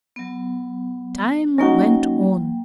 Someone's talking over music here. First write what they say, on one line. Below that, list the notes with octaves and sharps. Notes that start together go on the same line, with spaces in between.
Time went on.
F#3 B3
F#3 A#3 C#4 D#4 F#4 G5